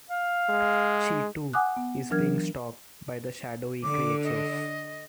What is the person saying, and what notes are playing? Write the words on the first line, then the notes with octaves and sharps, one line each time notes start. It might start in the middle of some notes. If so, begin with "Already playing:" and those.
She, too, is being stalked by the shadowy creatures.
F5
G#3
F#5 G#5 D6 D#6 F#6
B3
E3 F#3 D4 A#4 F6 G#6
D3 D6
D#5